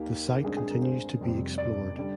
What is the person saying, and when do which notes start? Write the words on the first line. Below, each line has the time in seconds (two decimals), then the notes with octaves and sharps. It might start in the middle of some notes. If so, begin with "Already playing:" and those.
The site continues to be explored.
Already playing: D#2 D#3 A#3 G4
0.44 G2 D3 G#3 C4 G#4
0.57 G#4
0.70 A#4
0.82 C5
1.20 F1 F2 C3 G3 C4
1.58 D5
1.98 D3 G3